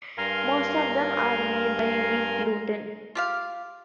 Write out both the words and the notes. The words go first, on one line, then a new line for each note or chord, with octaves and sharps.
Most of them are made by wheat gluten.
G2 A#4 F5 G#5 A#5 C6
F4 G4 F5